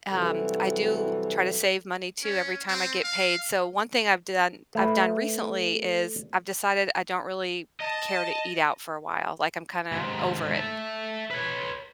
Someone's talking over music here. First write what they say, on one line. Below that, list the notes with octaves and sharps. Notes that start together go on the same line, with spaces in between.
um, I do try to save money too every time I get paid, so one thing I've done I've done recently is I've decided I don't really care to eat out for a while, like, I'm kinda over it,
C3 E3 F#3 G3 F#4 A4
C#4
C4
F5
A3 B4
D#5 A5
D#2 G#2
E5 A5
B4 C#5